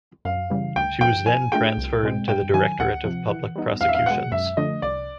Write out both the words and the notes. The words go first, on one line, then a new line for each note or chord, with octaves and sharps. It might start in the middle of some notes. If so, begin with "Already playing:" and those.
She was then transferred to the Directorate of Public Prosecutions.
F#2 F5
C#3 E3 G3
D2 G5
D3 F3 G5
F3 G#5
A3 D4 F4 G#4 G5
C2
B2 G#3 C4
G2 G5
D#3 F#3 G#5
D2 F#5
C3 F3
E3
G3 B3 D#4
E2 F5
E5
F5
B2 G#3 F#5
F#2 E5
D3 F3 A3 D4 D#5
C2 D5